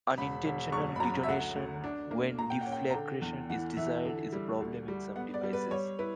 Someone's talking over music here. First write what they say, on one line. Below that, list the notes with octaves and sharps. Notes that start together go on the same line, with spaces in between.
Unintentional detonation when deflagration is desired is a problem in some devices.
E1 B5
E1
F#1 C#6
B5
F#2 A#5
E5
D2 F#5
D2
D4
A#3
A#2 A#5
G5
F#5
C#4
G5
A#5
D3 G5
E2
E3 F#5
E3 E5
D3
G3
D2
G3
B3 F#5
D5
G3
B4
G3 C#5
E4 B4